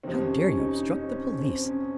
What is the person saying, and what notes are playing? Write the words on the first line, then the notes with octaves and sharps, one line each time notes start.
How dare you obstruct the Police?
F2 C3 D#3 C4
C#4
C#4
D#4
D#4
C#4
C4
C#4
C4
C#4